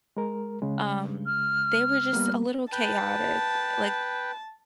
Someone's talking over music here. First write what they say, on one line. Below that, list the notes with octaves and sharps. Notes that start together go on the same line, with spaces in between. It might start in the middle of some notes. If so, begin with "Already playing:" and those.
um, they were just a little chaotic. Like
G#3 A#4
C#3 G#3
F6
G3 A#3 B3
B4 G5 A5